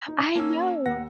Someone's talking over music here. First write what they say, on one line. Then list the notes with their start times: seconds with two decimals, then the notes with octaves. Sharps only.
I know!
0.08 D#4
0.35 A#3 C#4 A5 E6
0.86 D#2 F#5 A#6